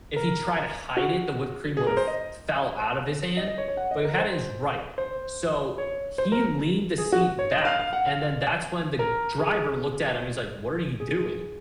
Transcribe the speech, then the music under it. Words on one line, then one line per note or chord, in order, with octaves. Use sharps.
if he tried to hide it, the whipped cream would have f fell out of his hand, but he had in his right. So, he leaned the seat back, and then that's when the driver looked at him, he's like, "What are you doing?"
A#4
F#4
G#4
A#4
C5
D#5
D#5
D#5
C#5
C#5
F#5
D#5
A#4
C5
C5
C#5
C5
A#4
G#4
F#4
C#5
D#5
F5
F5
F#5
F5
A#4
G#4
G#4